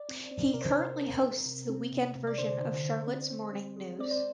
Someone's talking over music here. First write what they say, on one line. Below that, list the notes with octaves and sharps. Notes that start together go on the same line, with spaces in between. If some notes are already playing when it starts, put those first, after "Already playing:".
He currently hosts the weekend version of "Charlotte's Morning News".
Already playing: D5
C4
C4
C3 A#4
C5
A#4
C3
C4
C4
C3
C4
C3
C3
D5
D3 C5
D3
D3
C4
C4
C4
G#3
C4 D5
C5